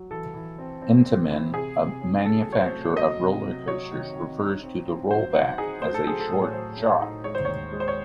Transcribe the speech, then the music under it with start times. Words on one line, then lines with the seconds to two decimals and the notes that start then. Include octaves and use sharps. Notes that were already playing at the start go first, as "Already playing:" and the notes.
Intamin, a manufacturer of roller-coasters, refers to the "rollback" as a "short shot".
Already playing: F#3
0.11 E3 A4
0.34 E3
0.58 C4
0.82 C4
1.06 C4
1.30 E3
1.54 C3 G#4
1.77 C3
2.01 C#4
2.25 A3 A4
2.49 F#3 C#5
2.61 C5
2.72 A3
2.96 F#3 D#5
3.20 C3
3.44 F#3
3.68 F#3 C#5
3.91 D#3
4.15 D#3
4.39 D#4
4.63 C4
4.87 C4
5.10 F#3 C5
5.34 D#4 F#5
5.58 D#4 G#4
5.82 A3 C5
5.94 A4
6.05 F#3 G#4
6.20 A4
6.29 A2
6.42 C#5
6.53 F#3 C5
6.77 A2
7.01 D#4
7.24 G#3 C#5
7.35 C5
7.45 D#2 C#5
7.72 G#3
7.80 C5
7.88 C#5